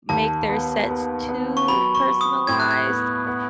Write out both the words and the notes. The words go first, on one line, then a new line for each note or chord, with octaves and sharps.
make their sets too personalized,
D#2 A5
B3
B3
B3
C#6
F#3 B5
C#6
F#3
D#6
A2 G#6
F#6
G#6
B3
B3